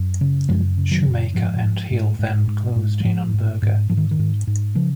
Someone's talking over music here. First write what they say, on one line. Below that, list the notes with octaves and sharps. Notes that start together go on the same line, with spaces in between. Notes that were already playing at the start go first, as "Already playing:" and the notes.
Schumacher and Hill then closed in on Berger.
Already playing: F#2
C#3
F#2 F3 G#3
C#3
D#3 F#3
F#2
G#2 F3
G#2
G#2
G#2
G#2
G#2
F#3
G#2 F3
G#2
G#2
G#2 F3
D#3
D#3
G#2
G#2
C#3 F3